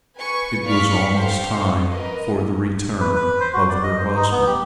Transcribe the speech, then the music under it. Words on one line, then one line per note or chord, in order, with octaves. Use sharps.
It was almost time for the return of her husband.
B4 G#5 C#6
D5 F5 B5 C#6 F6 B6
G4 A4 C5 F5
F#4
A#4 B4 D#5
B4
B4
C5
F#4
D5
D#5
C5
D#4
B3
G4